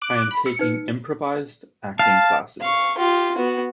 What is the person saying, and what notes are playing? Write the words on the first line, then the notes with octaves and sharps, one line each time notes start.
I am taking improvised acting classes.
D6 F#6 D7
B5
E6 C#7
D#4 B4
F5 A5
F5 C#6
F4 G4
B3 F#4